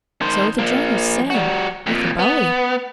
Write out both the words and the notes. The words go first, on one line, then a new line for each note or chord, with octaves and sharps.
"So the journals said; with a bowie!"
D#3 C5
F3 A#3
G3 F#4
F2 A#2
B3